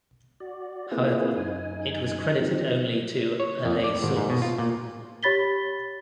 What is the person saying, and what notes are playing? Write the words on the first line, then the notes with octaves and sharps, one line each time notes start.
However, it was credited only to a "lay source".
F#4 D5
A#3 C4 E4 F4 G#4 B4
F#2 D#4 G#5
D#3 F3 F#3 C4
C#5
F2
D5
G#1
G#2
B2
F4
A#2
G4 C#5 B5 A6 B6 G7